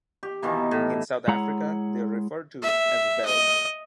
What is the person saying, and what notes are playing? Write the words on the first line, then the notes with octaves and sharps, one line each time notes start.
In South Africa they are referred to as veld.
G4
B2 D#3 E3 A#3
A2
G#3 E4 G#4 C#5 F#5 A#5
E5
D#5